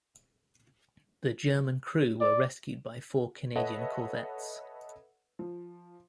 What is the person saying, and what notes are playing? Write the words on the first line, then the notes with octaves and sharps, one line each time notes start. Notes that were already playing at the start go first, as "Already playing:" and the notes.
The German crew were rescued by four Canadian corvettes.
D5
A4 B4 C#5 D#5 E5 F#5
F3